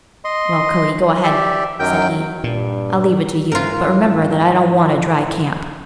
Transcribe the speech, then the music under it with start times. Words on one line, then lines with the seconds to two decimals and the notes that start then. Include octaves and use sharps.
"Well, Cody, go ahead," said he; "I'll leave it to you; but remember that I don't want a dry camp."
0.25 D#5 C6
1.24 G4 D5 E5
1.80 F#2 D#3 F#3 A#4 G5 G6
2.44 G2 A#2
3.52 G#2 E3 C#4 F4 A#4